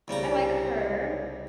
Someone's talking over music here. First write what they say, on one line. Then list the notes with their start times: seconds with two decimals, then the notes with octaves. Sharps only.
I like her.
0.08 C2 C#3 G3 A#5